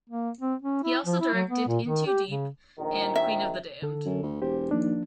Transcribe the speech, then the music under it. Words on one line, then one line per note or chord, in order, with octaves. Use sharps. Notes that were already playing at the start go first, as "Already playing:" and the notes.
He also directed "In Too Deep" and "Queen of the Damned".
A#3
C4
C#4
E4
F3
E4
F#3
B3
A#2
D#3
G4
C#3
A#1 D#3
E5
D3 A4
F#2
D2
E1 G4 C5
D#2 F3 A#3 D4